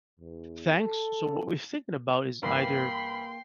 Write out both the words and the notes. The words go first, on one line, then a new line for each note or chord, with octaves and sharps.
"Thanks." So, what we're thinking about is either
E2
A4
G2 E3 A#3 G5 B5 C6